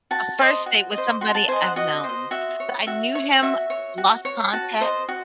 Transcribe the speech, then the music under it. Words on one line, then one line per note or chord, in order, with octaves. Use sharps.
A first date with somebody I've known, but I knew him, lost contact
F#4 A5
C5 D#5
F#4
C5 D#5
F#4 C6
A5
C5 D#5 G#5
F#5
F#4 D#5
C5 D#5
F#4 E5
C#5
F#4 E5
C#5
F#4 E5
C#5
F#4
C#5
F#4 A5
C5 D#5
F#4